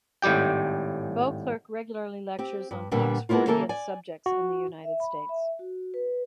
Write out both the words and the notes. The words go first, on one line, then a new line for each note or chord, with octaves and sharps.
Beauclerk regularly lectures on Oxfordian subjects in the United States.
G#1 A2 G3 G4 G5
C4 G4
G2
A#2 D3 G3 A#3 B3 D4
A#3 B3 C#4 E4 F4
C#3 E3 A#3 A4 A#4
D5 G#5
F#4
E5
B5
E5
F#4
B4